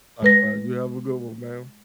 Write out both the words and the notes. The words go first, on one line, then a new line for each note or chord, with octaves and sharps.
Likewise, you have a good one, ma'am.
G#3 B4 A#6